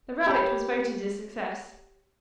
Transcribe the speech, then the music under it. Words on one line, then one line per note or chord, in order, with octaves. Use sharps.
The rarebit was voted a success.
G4 C#5 A5 B5